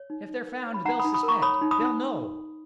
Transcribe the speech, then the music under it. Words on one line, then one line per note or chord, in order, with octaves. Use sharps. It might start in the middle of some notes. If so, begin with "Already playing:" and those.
"If they're found, they'll suspect--they'll know ..."
Already playing: C#5
D#4
D#4
A#4
C#5
B5
D#4 F#5 A#5
D#4 B5 D#6
B5 D#6
A#4
A#5 C#6
C#5 B5 D#6
D#4
B5 D#6
D#4